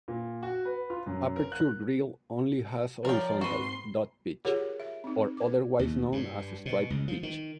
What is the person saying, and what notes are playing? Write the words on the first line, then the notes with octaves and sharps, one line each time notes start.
Aperture grille only has horizontal 'dot pitch', or otherwise known as 'stripe pitch'.
A#2
F#4
B4
F4
F#2
A#4
F#6
F3 A#4 C#5 D5 G5
G#2 C4 F#4 B4 C6
F4 G4 G#4 A#4 C#5 F#5
E5
C4 D#4
B4 D6
D#2
G2
B2
C#2
F3
D#3